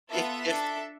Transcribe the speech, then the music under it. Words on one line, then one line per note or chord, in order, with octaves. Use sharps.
if if
B3 F4 A4 E5
D4 A4